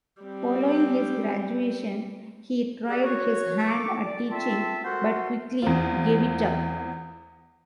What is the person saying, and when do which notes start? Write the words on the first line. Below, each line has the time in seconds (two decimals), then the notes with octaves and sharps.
Following his graduation, he tried his hand at teaching, but quickly gave it up.
0.22 G3 C4
2.88 G4 G#4 D5 E5 F#5
3.02 F#4 A#4 B4 C#5
3.67 A4 C#6 D6
4.05 D5
4.30 C4 F4 A4 E5 A5
4.84 F#4 A4 A#4 C5 F#5
5.62 E2 C4 F4